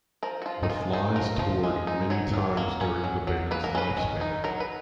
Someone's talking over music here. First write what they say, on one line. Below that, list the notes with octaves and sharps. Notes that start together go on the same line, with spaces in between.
The Flys toured many times during the band's lifespan.
F3 A#4
F#4
F3 F4
D#4
G#3 F4
D#4 G#4
F3 A#4
F3
G#3
D#4
F#3 C#5
F#3
A#3
C#4
F#3
F#3
A#3 B4
A#4
C#4 B4
D#3
D#4
F#3 A#4
B4